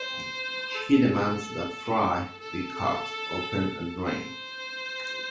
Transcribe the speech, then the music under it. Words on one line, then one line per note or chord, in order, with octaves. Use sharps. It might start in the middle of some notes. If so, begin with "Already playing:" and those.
He demands that Fry be cut open and drained.
Already playing: C5
A4
A4
C5